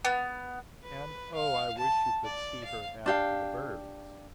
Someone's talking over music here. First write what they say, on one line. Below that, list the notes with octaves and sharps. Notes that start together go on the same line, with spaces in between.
And oh, I wish you could see her after the birds!
B3
B4
F5
A5
D5
F5
D4 G4 F5